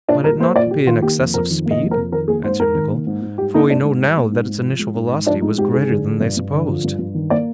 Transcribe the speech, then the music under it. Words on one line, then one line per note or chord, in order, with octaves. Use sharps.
"Might it not be an excess of speed?" answered Nicholl; "for we know now that its initial velocity was greater than they supposed."
A#2 D4
G3 A#4
A#3 C5
A#2 D5
A#2 G4
D#3 F4
A#3 G4
F2
F2 A#4
D#3
A#3
D#5
F2
A#4
F2
D#3 A#4
A#3 G#4
G#2 C5
G#2 A#4
D#3
A#3
G#2
G#2
G3 G4
A#3 D#4
G#2 D4
G#2
G3
A#3
G#2
G#2
F3
G#3
G#2
G#2
F3 D4
G#3 D#4
G#2 G4
G#2 G#4
D3
F3
G2
G2
D3
F3
G2
G2
D#3
A#3 D5